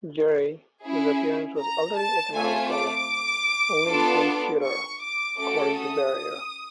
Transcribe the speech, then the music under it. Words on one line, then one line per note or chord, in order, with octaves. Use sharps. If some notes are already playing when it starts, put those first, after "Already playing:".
Jerry, whose appearance was already economical, only become cuter, according to Barrier.
C#4 E4 G#4
A#5
A5
A3 C4 F4 G#5
D6
B3 D4 F4 A4
C#6
D6
A3 C#4 F#4 A4 D6
D#6